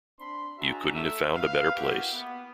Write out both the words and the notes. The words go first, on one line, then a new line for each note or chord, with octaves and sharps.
You couldn't have found a better place.
C4 D4 B5 C6
D4 F#4 G#4 E5 A5 A#5
A3 E5
B4 F5
A#3 E4 F#4 G4
B3